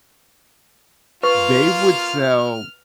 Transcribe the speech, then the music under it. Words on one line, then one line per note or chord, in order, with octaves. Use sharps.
they would sell
A#3 F4 B4 C#6 F6